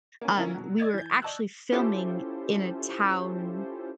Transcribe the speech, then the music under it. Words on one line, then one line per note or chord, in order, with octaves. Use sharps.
um, we were actually filming in a town
A#3 C#4
D3 A#3 C#4 E4 F4 A#4
B2 F#3
D5 D#5 G#6 A6
E3 G6
D5 D#5 A5 C#6 E6 F#6
C#4 E4 F4 G4 A4 C5